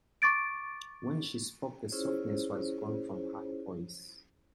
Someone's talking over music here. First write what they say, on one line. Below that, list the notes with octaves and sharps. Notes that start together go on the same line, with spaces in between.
When she spoke the softness was gone from her voice.
C#6 D6 A6 D7
C#4 E4 F4 G#4 C5 C#5